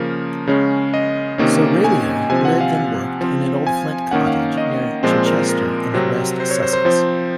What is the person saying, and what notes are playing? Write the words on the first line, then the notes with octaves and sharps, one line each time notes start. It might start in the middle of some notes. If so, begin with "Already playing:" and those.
Serraillier lived and worked in an old flint cottage near Chichester, in West Sussex.
Already playing: C#3 F3 A#3 C#4 A#4
C#3 G#3 C#4
D#5
C3 D#3 A#3 C#4
G#5
C3 F3 C4 G#5
F#5
F5
F3 C4
G#5
D#3 A#3 C#4 F#5
F5
D#5
A#2 F3 G#3 C4 C5
A#4
A#4
C3 F#3 C4
C5
C#5
C5
C5
F3 C4 C5